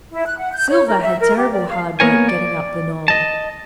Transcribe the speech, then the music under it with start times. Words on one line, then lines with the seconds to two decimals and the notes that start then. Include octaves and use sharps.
Silver had terrible hard work getting up the knoll.
0.11 E4
0.25 F#6
0.39 F#5
0.53 G6
0.70 C#5
0.87 A#4
1.01 E5
1.20 A#4
1.37 G4
1.51 D5
1.68 F5
2.00 A#3 B3 A#4 C#5 G#5
2.29 D5
3.08 D#5 A5